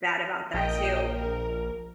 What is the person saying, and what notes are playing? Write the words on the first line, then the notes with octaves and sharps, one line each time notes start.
bad about that too,
A#1 A#4 D#5 G5
A#4